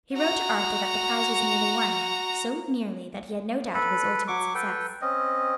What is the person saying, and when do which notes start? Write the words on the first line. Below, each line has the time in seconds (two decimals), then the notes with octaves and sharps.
He wrote to Arthur that the prize was nearly won; so nearly that he had no doubt of his ultimate success.
0.13 F#4 A#5
3.74 A4 B4 B5
4.28 F#3 C#6 D6
4.55 A4 B4 G5
5.02 C4 C#4 D#5